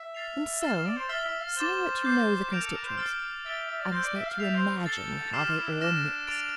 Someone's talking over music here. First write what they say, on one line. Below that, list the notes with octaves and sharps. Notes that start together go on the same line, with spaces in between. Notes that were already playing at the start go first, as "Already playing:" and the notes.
And so, seeing that you know the constituents, I must let you imagine how they all mixed....
Already playing: E5
F6 A6 C7 F7
F5 F6 A6 E7 G7
F5
D5
C5
E5 F6 A6 C7 G7
E5
F5
C5 D6 A6 E7 G7
D6 G6 C7
A#4 G6 D7 F7
A4
A#4
C5
F6 A6 C7 G7
E5 D6 A6 D7 G7
E5
D5
C5 E6 G6 A#6
D5
E5
F5
E5 A6 C7 F7
C5
A4 A6 C7 G7
G4 D6 F6 C7 E7
F4
E4
D4
D6 F6 A#6 E7
A6 D7 F7